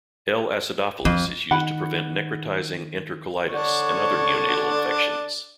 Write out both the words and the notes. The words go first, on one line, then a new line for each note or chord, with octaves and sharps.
"L. acidophilus" is used to prevent necrotizing entercolitis and other neonatal infections.
F2 F3
D#3 F#5 B5
D3 D4 C#5